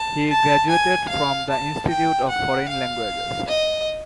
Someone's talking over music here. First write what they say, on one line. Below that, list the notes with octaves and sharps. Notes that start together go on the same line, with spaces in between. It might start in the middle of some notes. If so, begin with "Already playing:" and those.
He graduated from the Institute of Foreign Languages.
Already playing: A5
A5
G#5
F5
A5
G5
F#5
F5
D#5